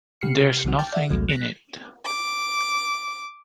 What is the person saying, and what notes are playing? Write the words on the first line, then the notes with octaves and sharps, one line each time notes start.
There's nothing in it.
C3 G4 F6 C7 C#7
B1 D#3 F#3 G3 F#4
G5 A5 D6 F6 G6 A6
D5 E5 F#5
A#1 D#2 C3 F#3 G#3 A3
F#6 A#6 B6
D6